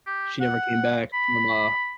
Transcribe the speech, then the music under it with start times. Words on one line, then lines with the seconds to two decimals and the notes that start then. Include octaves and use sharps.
She never came back from a
0.07 G4
0.41 F#5
1.14 B5